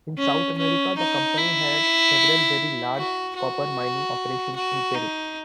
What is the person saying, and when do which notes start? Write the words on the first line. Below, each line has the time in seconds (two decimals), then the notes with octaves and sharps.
In South America, the company had several very large copper mining operations in Peru.
0.18 C#4
0.58 C#4
0.97 D#4
1.38 E4
2.96 F#4
3.36 F#4
4.56 F#4
4.95 D#4